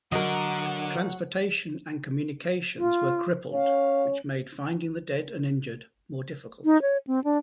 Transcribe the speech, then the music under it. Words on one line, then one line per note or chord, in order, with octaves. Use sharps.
Transportation and communications were crippled, which made finding the dead and injured more difficult.
D3 F#3 A#4 D#5 F#5
F4
C#4 F5
D#4
C#5
C4
D4